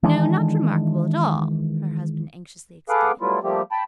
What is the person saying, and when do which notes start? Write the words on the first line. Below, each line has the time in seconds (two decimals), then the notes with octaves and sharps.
"No, not remarkable at all!" her husband anxiously explained.
0.03 D#3 E3 G#3 D4
2.89 G#4 A4 B4 F5 F#5 D6
3.21 F#3 G3 A3 B3 E4 F4
3.43 F3 G3 A3 A#3 C4 G4
3.72 G5 A5 B5